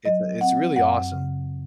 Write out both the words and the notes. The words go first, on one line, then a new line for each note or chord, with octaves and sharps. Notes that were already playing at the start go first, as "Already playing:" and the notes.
It's it's really awesome.
F#3 D#5
C4 F#5
F#2 F#5
C#3